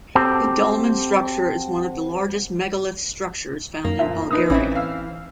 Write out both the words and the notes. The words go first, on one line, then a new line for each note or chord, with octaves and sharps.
The dolmen structure is one of the largest megalith structures found in Bulgaria.
C4 F#4 G4 A4
F#2 A#3
A#2 F3 E5
B3 D#4 B4 D#6
A1 E3 C4 C#4 E4 E5
F5 E6